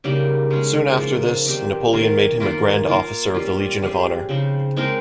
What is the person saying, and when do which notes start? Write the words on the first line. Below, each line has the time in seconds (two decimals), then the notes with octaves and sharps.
Soon after this Napoleon made him a grand officer of the Legion of Honor.
0.04 C#3 G3 A#3 D#4
0.50 G#3 C#4 G#4
0.98 F3 A#3 F4
1.46 D#3 G3 C4 D#4
1.93 D#3 A#3 F4 A#4
2.40 D#3 A#3 F4
2.87 A#3 F4 A#4
3.34 G3 C#4 F4
3.82 G3 C4 F4 G#4
4.29 C#3 F3 C4 D#4
4.77 G#3 C4 D#4 A#4